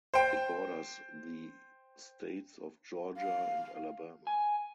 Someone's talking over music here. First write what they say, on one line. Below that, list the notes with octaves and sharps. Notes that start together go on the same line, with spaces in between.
It borders the states of Georgia and Alabama.
C5 G5
F5
G#5